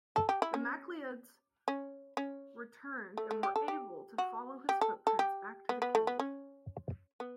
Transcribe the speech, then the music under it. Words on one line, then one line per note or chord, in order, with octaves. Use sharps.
The MacLeods returned and were able to follow his footprints back to the cave.
A4
G4
E4
C#4
C#4
C#4
A3
A3
G4
A4
G4
F#4
G4
A4
A4
G4
B3
B3
A3
B3
C#4
B3